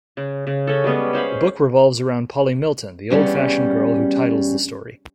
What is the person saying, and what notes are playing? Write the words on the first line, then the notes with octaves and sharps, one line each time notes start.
The book revolves around Polly Milton, the old-fashioned girl who titles the story.
C#3
C#3
C#4 A4
G3 G#3 B3 C#4
C#4 C5 F5 B5
E2 C#3 G3 C#4